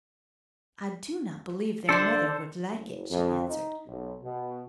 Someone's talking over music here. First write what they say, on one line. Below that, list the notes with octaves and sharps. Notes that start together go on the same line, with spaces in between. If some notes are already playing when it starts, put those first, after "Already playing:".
"I do not believe their mother would like it," she answered.
D3 D4 A4 C5
F#1
F2
D#4
B1
B2